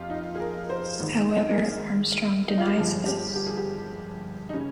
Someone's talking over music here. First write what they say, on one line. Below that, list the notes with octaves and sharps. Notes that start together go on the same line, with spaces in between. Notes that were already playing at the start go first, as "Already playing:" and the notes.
However, Armstrong denies this.
Already playing: F2 F4 G4
D#4
G#4
A#4
C5
G#1 G#2 D#3
A#4
G#4
D#4
F4
G4
G1 G2 F3 G#4
G4
G4
G#4
G4
D#4
C#3 G3 C#4